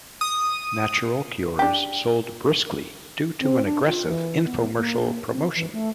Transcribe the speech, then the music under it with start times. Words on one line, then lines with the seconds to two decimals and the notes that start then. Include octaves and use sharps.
"Natural Cures" sold briskly due to an aggressive infomercial promotion.
0.21 D#6
1.59 D4 G4
3.40 C4
3.65 D4
3.87 F4
4.07 E3
4.45 B3
4.76 A#3
5.31 C4
5.55 E3
5.72 A3